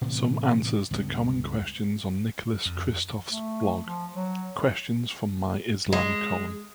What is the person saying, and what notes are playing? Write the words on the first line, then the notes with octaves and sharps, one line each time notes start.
Some answers to common questions on Nicholas Kristof's blog: Questions from My Islam Column.
A2 C3 E3 B3
C#2 G2 B3
F2
A3
F3
F#3
G#3